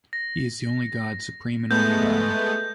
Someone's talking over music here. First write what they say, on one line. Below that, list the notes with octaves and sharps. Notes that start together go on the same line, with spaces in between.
He is the only God, supreme and only God.
A#6
G#3 A3 B3 G6